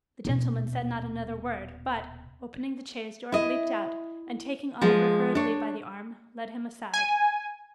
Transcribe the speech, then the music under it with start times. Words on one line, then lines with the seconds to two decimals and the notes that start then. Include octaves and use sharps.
The gentleman said not another word, but, opening the chaise-door, leaped out, and taking Oliver hurriedly by the arm, led him aside.
0.25 D#1 B2
3.32 E4 D#5
4.81 F3 G#3 F4
5.35 D4 C#5
6.94 G#5